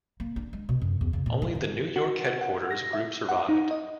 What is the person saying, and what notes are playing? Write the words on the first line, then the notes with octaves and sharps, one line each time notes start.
Only the New York headquarters group survived.
A#3
D4
G#3
B2
F#2
E2
C#3
A#2
G#3
D#3
F#4
F#5
A#6
E5
F#5
D#4
D#5